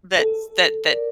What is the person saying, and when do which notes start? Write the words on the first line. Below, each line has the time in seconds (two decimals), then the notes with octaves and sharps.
that's that that
0.19 A4
0.85 A#4 D5